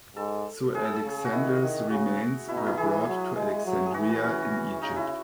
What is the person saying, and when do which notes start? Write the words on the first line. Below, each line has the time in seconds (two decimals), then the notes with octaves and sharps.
So Alexander's remains were brought to Alexandria in Egypt.
0.16 G#2 A4
0.74 A2 G#4
0.85 A4
0.95 G#4
1.03 C#3
1.25 F#4
1.32 D#3 E4
1.62 D#3
1.90 C#3 F#4
2.48 B2 E4
2.57 D#4
2.66 E4
2.77 E3 G#4
3.07 F#3
3.36 G#3 G#4
3.65 F#3
3.86 G#4
3.94 E3 F#4
4.09 F#4
4.24 C#4
4.82 C#3 D#4
4.96 E4